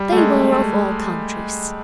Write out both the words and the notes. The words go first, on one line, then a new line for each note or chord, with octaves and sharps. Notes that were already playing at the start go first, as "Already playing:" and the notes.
They were of all countries.
Already playing: G3
A3
G#3
A3